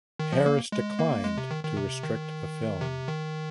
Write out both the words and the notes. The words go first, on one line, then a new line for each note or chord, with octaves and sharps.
Harris declined to restrict the film.
D#3
F3
A#3
G#3
A#3
G#3
C3
D#3
D#3
C3
D#3
C3
D#3